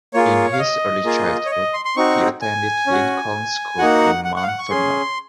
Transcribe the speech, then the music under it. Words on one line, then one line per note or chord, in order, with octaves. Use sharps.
In his early childhood he attended Lincoln School in Mount Vernon.
A#3 F4 G#4 C#5
F5
D#5
A#3 F4 G#4
C#5
D#5
C6
C6
C4 D#4 F#4 C#6
G#5
C#4
F#4
A#3 D#4 F#4 F#5
F#5
F#5
F5
F#5
C#6
C#4 G#4 C6